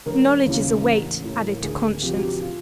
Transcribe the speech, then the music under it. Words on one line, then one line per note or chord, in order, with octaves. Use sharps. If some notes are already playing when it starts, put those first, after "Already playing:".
"Knowledge is a weight added to conscience."
E1 A#4
D#2 C#3 E3
A1
A2 E3
D2 G#4
C3 F3 G4
F#4
G4
F4